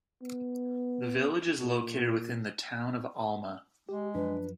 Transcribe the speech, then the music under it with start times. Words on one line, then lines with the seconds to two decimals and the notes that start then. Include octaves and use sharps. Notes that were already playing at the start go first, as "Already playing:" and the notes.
The village is located within the Town of Alma.
0.22 B3
1.61 A#2
3.89 G#3 G4
4.15 F#2 F3 D4 B4